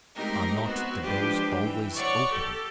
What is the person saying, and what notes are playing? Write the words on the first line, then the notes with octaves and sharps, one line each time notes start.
Are not the doors always open?
G#3 A3 C4 D#4 G4 A#4
B3 C4 F#4
F3 G#3 D4 G4 B4
E3 G5
C#5 D5 F#5 C#6
G4 A4